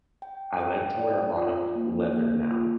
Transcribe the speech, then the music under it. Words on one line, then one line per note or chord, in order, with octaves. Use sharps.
I like to wear a lot of leather now.
G5
G5
D5
F4
A#3
A#3
F4